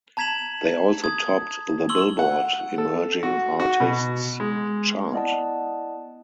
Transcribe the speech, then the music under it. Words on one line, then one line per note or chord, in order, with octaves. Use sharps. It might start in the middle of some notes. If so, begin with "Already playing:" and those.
They also topped the "Billboard" Emerging Artists Chart.
A5 A#5 G#6 B6 E7 F#7
D#6 G#6
C6 C#6 E6 F#7 G7
F#5
A4
F#4
F#4
B2
G#3
B3 E4 D5 D#5 F#5 A5